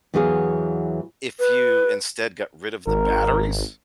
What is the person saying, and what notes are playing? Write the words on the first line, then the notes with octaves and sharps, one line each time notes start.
if you instead got rid of the batteries,
E2 E3 F#3 G#4 A#4 F5
B4
G#1 A#4